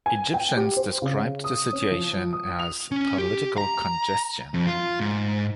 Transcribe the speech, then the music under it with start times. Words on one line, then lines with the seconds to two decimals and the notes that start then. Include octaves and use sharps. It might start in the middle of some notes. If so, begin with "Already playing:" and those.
Egyptians described the situation as "political congestion".
0.06 G#5
0.34 G5
0.57 G4
0.77 C5
1.02 C#3
1.44 D#6
1.73 C#4
1.91 F3
2.33 D#6
2.59 F7
2.92 C#4
3.18 G4
3.58 A#5
4.54 F2
4.67 F4
5.00 G#2